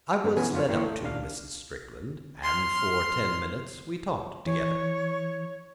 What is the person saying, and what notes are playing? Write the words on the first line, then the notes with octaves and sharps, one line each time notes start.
I was led up to Mrs. Strickland, and for ten minutes we talked together.
G2 G#3 B3 D#4
B2 E3 B3 C#4 G#5
F#2 F4 C#5
E3 A#3 E4 G5 C6 C#6
A3
D#2 A#2 D4 F5
C6 F6
E3 C#5